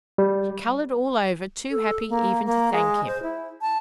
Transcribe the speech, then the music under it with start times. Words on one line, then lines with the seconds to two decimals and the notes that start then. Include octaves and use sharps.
She coloured all over; too happy even to thank him.
0.18 G3
1.70 A4
2.09 A#3
2.45 A#3
2.72 G#3
3.06 C5
3.22 E4
3.61 A5